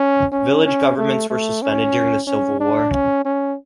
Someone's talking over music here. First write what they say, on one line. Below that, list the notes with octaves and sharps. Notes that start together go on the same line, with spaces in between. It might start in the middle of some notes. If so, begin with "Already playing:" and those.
Village governments were suspended during the Civil War.
Already playing: C#4
C#4
C#4
A3
A3
C#4
C#4
D4
C#4
C#4